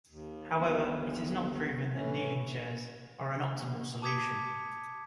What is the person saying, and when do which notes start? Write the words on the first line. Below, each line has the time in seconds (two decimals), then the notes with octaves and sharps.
However, it is not proven that kneeling chairs are an optimal solution.
0.09 D#2
0.58 G1
1.93 A2 E3 C#4
4.02 A5 D6 D#6 G#6 B6 C#7